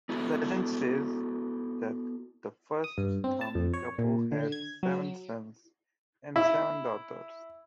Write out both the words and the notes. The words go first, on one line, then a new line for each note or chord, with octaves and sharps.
Legend says that the first Thami couple had seven sons and seven daughters.
B3 E4 F#4 A4
D#6
G2
C4
A5
F2
C#5
A#2
D3
G#6
F#3
E4